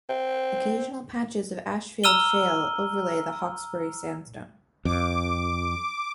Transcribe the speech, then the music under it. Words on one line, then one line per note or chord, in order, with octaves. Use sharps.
Occasional patches of Ashfield shale overlay the Hawkesbury sandstone.
C4
A#5 E6 F6 D#7 G7
F2 D6